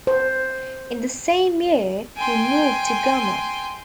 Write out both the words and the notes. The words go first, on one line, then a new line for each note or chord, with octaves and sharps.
In the same year, he moved to Gama.
C5
G5 G#5 C6